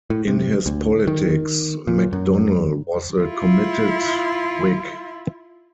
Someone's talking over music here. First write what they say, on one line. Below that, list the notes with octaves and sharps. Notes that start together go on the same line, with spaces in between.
In his politics McDonnell was a committed Whig.
A2
C3
D2
D#3
A#2
F#2
E4 F4